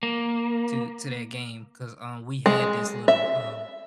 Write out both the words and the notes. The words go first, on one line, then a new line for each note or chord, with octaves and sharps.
to to that game 'cause, uh, we had this little, um
A#3
G#3
E5